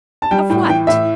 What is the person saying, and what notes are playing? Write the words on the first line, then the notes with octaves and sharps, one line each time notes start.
"Of what?"
A5
G3 G5
A2 G5
E3 G5
A2 E5